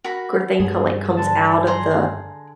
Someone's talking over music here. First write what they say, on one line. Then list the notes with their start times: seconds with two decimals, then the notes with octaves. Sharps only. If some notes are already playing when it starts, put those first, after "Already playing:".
thing come, like, comes out of the
0.04 F#4 A#4 B5
0.60 G2 G#4
1.17 D3 A5
1.67 G#4 A#5 C6